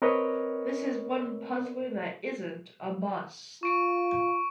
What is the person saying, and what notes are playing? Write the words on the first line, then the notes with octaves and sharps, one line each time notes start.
This is one puzzler that isn't a bust.
C4 A#4 B4 C#5 D#5
F4 C#6 D7